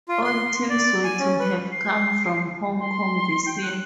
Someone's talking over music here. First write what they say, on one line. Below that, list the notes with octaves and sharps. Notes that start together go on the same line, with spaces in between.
All teams were to have come from Hong Kong this year.
F4
C6
D5
G#5
C#4
B4
C7
C6
G5
F#6